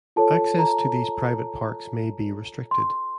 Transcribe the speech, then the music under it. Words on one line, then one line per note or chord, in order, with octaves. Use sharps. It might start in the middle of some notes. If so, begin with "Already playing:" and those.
Access to these private parks may be restricted.
F4 A4 C#5 A5
A#5
C6